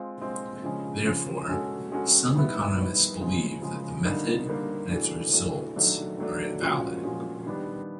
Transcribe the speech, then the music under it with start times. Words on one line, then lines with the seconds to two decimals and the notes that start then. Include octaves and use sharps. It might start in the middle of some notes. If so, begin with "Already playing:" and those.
Therefore, some economists believe that the method and its results are invalid.
Already playing: G#3 C4 F4
0.21 G#3 C4 F4
0.63 C#3 F3 G#3 C#4
1.06 C#3 F3 G#3 C#4
1.49 G#3 C#4 F#4 A4
1.92 G#3 C#4 F#4 A4
2.34 D#3 G3 B3 E4
2.77 D#3 G3 B3 E4
3.20 C#3 F3 G#3
3.62 C#3 F3 G#3
4.05 D3 G3 A#3 D#4
4.47 D3 G3 A#3 D#4
4.90 E3 A3 D4 F#4
5.33 E3 A3 D4 F#4
5.76 D#3 F#3 A3 D4
6.18 D#3 F#3 A3 D4
6.61 A#2 F3 G#3 C#4 F#4
7.03 A#2 F3 G#3 C#4 F#4
7.46 D#3 G3 B3 D4 G4